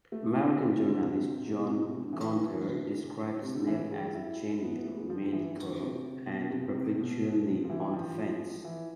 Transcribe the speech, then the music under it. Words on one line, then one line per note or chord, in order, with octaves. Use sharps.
American journalist John Gunther described Snell as genial, mediocre, and perpetually on the fence.
A3
C3
C3
D3
C3
D3
C3
D3
C3
C3
B2
C3
B2
C3
D3
E3
E3
E3
D3
C3
D3
E3
G#3
E4
B3
A3
G#3
F3
D3
E3
D3
D3
C3
B2
C3
C3
B2
B2
C3
F3
E3
F3
E3